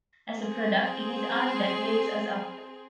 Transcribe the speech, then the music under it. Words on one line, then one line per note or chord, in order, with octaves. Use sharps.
As a product, it is art that wakes us up.
C4 G#4